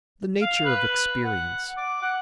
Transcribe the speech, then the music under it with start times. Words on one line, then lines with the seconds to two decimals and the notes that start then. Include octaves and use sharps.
The Nature of Experience.
0.42 F5
0.65 B4
1.25 F#5
1.77 D6
2.02 F#5